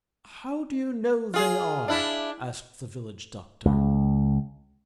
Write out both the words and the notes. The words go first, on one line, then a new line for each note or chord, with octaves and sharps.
"How do you know they are?" asked the village doctor.
F4 G#4
D4 E4
C#2